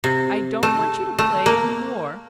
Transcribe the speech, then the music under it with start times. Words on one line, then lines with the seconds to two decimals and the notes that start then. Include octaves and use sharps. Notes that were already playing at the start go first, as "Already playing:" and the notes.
I don't want you to play any more.
0.04 C3
0.63 A3
1.19 A3
1.46 A#3